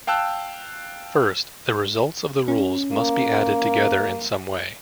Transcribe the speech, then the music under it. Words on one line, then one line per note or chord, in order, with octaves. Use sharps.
First, the results of the rules must be added together in some way.
F5 G5 A5 E6 F#6
C#4
A#3